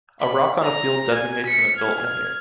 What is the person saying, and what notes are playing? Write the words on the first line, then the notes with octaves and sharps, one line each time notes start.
A rock on a field designates an adult menhir.
B5
A#5
G#5
B6 C#7
F6 G#6